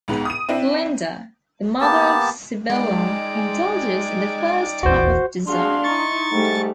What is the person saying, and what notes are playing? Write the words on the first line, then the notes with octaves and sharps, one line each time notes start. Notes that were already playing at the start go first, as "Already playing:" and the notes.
Linda, the mother of Sibylla, indulges in the first type of desire.
C#2 G#2 C#3 B3
D#6 D#7
C4 D4 E4
A#3 B3 G4 A5
G#3 D#4 D5 G5
D#1 A#1 E2 F#4 C5
D4 F#4 G#4 F5 C6
D#4 E4 C#6 A6
G#2 G3 A3